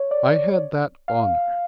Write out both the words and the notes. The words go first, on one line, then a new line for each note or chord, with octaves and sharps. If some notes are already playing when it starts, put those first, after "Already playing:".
I had that honour.
Already playing: C#5
D5
F5